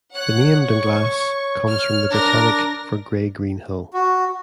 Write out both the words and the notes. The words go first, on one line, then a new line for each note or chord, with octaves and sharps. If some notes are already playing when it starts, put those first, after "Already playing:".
The name "Dunglass" comes from the Brittonic for "grey-green hill".
C#5 F#5 F#6
C#6
F6
D4 A#4 A#6
F#4